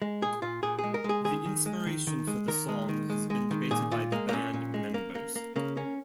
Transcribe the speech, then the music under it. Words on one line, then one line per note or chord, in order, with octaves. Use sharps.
The inspiration for the song has been debated by the band members.
G#3
A#2 G#4
A#2 F4
A#2 G#4
G#3 G#4
A#4
G#3
G#4
D#3 G#4
D#3
G#3
D#3
D#3
G#3
D#3 A#4
G#3
D#3
G#3
G#3
D#3
A#2 G#4
A#2 F4
G#3 A#3
A#3
A#2 C#4
A#2
G#3
A#3
A#3
A#3
C#3 A#3
A#3 C#4